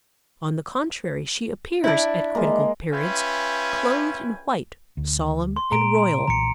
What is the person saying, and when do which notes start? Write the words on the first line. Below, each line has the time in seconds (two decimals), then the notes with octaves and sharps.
On the contrary, she appears at critical periods, clothed in white, solemn and royal.
1.84 D4 E4
2.35 G#3 A#3
2.91 C#4 F4 B4 E5 G5 G#5
4.97 D2
5.56 C6
5.72 A#2 A#5 D7
6.27 B1 A#2 E3 A#5 C#7